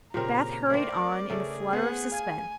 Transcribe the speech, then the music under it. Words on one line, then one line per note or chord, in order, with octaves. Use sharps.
Beth hurried on in a flutter of suspense.
A#2 C#3 C4 G4 A#4 A#5
A3 C4 A#4 C5 D5
C#3 A3 G#4 A4
B3 B4 C5 F#5
F5 G#5 G#6